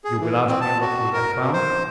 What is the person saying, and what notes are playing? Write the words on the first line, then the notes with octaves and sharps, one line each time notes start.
You will ask me what he had found?
G#4
E3
C4
A5
F#4
A#4
B2
C5